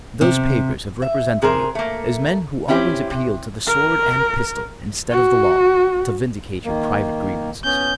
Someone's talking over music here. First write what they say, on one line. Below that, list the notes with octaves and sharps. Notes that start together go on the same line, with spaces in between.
Those papers have represented you as men who always appeal to the sword and pistol, instead of the law, to vindicate your private grievances.
C3
E5
C3 G#4 A#4 C5
A3 A#3
C4 C#4 E4 G4
C3
A#4
F#4
D#3 A#3
B3 C#4 G6